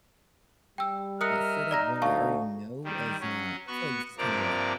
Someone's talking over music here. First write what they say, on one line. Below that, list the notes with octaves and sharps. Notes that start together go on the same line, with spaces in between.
uh, set up what I already know as, uh I feel like this is kinda, like,
G3 G5 E6
A#4 D#5 E5 D#6 F6 F#6 C#7
D#4 D5 A#5 A#6
D2 F5 A5 C#6
D#3 G3
F#3 C#4
B3 F#4 C#6
G2 C3 F3 A#3 D5 A#5